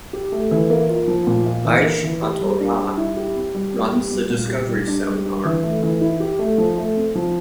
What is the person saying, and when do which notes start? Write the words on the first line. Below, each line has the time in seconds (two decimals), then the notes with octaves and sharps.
Aish HaTorah runs the Discovery Seminar.
0.13 G4
0.32 A3
0.51 E3
0.70 A#3
0.89 F4
1.07 F3
1.27 A#2
1.46 F4
1.65 E3
1.84 A#3
2.03 E3
2.22 G4
2.41 G3
2.60 D4
2.79 G3
2.97 E4
3.17 G4
3.36 C4
3.55 G3
3.74 C4
3.93 G4
4.12 G3
4.30 A#2
4.49 G4
4.69 G3
4.87 D4
5.06 G3
5.26 D4
5.45 E3
5.63 A3
5.82 E3
6.01 E4
6.20 G4
6.39 A3
6.58 F3
6.78 A3
6.97 C4
7.15 F3